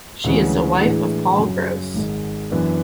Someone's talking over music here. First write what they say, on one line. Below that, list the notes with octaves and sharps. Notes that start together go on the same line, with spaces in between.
She is the wife of Paul Gross.
D2 C#3 E3 G#3 C#4
A2 E3 G#3 D4 G#4
F#2 C#3 F#3 C#4
G#1 G#2 G#3
F#2 E3 B3 D4